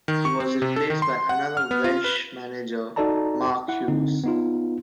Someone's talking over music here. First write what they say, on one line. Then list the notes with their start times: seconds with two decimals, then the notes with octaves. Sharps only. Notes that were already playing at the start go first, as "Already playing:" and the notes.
He was replaced by another Welsh manager, Mark Hughes.
0.08 D#3
0.25 C#6
0.40 C4
0.62 C3
0.76 A4
0.90 D#3
1.02 C6
1.29 F#5
1.57 F6
1.71 B3
1.84 F4
2.04 B4
2.96 D#4 F#4 A4 D5 A5 A#5
3.68 E4 F#5
3.88 D3 C4 D#4
4.24 B3 D#4 F4